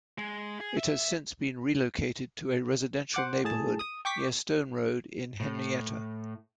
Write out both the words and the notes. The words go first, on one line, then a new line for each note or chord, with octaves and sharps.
It has since been relocated to a residential neighborhood near Stone Road in Henrietta.
G#3
G#4
E5
C5 F#5 D6
A2 G#4 A5
D#6
G5 C#6 D6 B6
A2